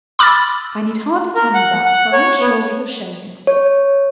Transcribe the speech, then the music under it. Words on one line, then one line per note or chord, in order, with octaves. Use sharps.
"I need hardly tell you that, for I am sure we have shown it."
B5 D6 E6 F6 A6
A#4
F#5
F#5
C#5
B3
C#5